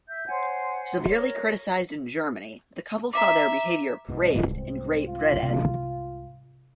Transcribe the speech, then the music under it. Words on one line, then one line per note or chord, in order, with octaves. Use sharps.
Severely criticised in Germany, the couple saw their behaviour praised in Great Britain.
E5 G6
C5 C#5 F#5 G#5
A#4 C#5
E5 A#5 D6
C2 G#2 B2
C4
F4
C3